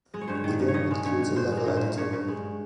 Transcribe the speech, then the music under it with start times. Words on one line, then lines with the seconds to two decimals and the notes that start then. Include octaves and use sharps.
The game includes a level editor.
0.14 G#3 D#5
0.21 C#5
0.28 G2 C5
0.35 C#5
0.44 D#3
0.60 G2
0.68 C#5
0.74 G2 D#5
0.91 G#3
1.05 G2 C#5
1.21 G2
1.36 G2 C5
1.52 G#3
1.57 A#4
1.66 G2
1.77 C5
1.82 G2
1.98 G2 C#5
2.13 G2
2.28 G#3